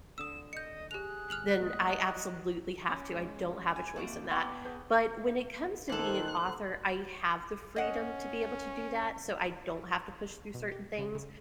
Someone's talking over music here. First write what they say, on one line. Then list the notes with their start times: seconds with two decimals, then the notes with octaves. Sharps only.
then I absolutely have to, I don't have a choice in that, but when it comes to being an author, I have the freedom to be able to do that, so, I don't have to push through certain things,
0.18 D1 D3 D#6 E6 E7
0.53 D#5 G6 C#7
0.91 G4 G#4 F#6 F7
1.30 G1 F6 F7 F#7
1.59 A#2 G#3 B3 D#5
2.16 F#3
2.90 C#4
3.14 G#3
3.76 G#5
3.96 F1 D#2 C3 A3 F#4 D6
4.31 B3 D5 G5 A5 C#6
4.64 G#4 B4 G6
5.89 A#2 D#3 A4 C5 F#6
7.76 C#4 D#5 F#5
10.54 B2
10.72 G4
10.98 C#3
11.15 C#3